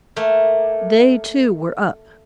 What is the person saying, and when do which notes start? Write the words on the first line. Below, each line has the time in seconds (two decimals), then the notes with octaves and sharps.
They, too, were up.
0.16 A3 A#3